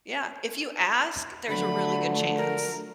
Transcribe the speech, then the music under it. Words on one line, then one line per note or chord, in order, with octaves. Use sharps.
Yeah. If you ask, there's a really good chance.
D3 F3 F#3 A3 B5
A#4